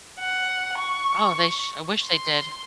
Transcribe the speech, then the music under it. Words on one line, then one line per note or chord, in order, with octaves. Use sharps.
Oh, they sh I wish they did.
F#5
C#6
C6